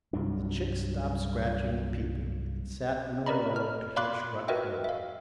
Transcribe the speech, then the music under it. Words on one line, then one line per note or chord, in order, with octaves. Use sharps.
The chicks stopped scratching and peeping, and sat in a row to hear Strut crow.
C2 G2 F#3 D4
A#4 B4 D5 D#5 A#5 B5
F6
D5 F5 B5 C6 D6 F#6
F#4 A#4 B4 D#5 E5 G5
E5 F5